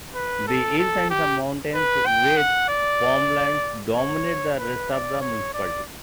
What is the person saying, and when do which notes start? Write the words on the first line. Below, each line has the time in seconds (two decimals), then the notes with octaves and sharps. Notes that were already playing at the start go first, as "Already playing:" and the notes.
The hills and some mountains with farmlands dominate the rest of the municipality.
0.15 B4
0.48 A4
0.78 A4
1.11 G4
1.74 B4
2.06 G5
2.37 F#5
2.69 D5
3.95 C#5
4.59 B4
4.91 D5
5.22 C#5
5.54 D5